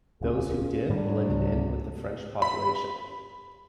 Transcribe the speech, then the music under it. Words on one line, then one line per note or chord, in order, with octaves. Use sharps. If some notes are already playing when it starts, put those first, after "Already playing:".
Those who did blended in with the French population.
D#1 C#2 C#4 F4 G#4
G#2 C3 F#3 G3 D4
C#2
B5